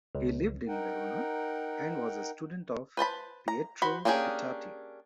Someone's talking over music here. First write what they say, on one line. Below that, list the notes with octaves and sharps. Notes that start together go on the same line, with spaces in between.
He lived in Verona and was a student of Pietro Pitati.
C#2
D#4 A#4 F#5 G5
B4 C5 A5 B5
A#5
F#4 C5 B5
A#3 C#4 D4 G4 G#4